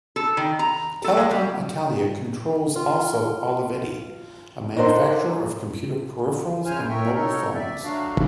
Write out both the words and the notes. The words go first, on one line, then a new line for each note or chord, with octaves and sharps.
Telecom Italia controls also Olivetti, a manufacturer of computer peripherals and mobile phones.
A4
D#3
A#5
A4
G#3
G3
F4
D4 D#4 A4 A#4 C5 F#5
F#2 C#3 C5 G#5 F6
A#4 C#5 E5 G5
D#4 A4 A#4 C#5
D5 E5
F#3 A3 D4 F#4 F5